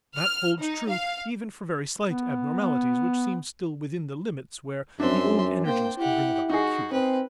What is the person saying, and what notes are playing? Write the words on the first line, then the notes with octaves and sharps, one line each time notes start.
That holds true even for very slight abnormalities which seem still within the limits where the own energies can bring about the cure.
F6
D#4
F5
B3
B3
F#2 C4 D4 E5 C6
A#3 C5 G5
E4 G4 F#5
D#4 F#4 G#4
C4 B4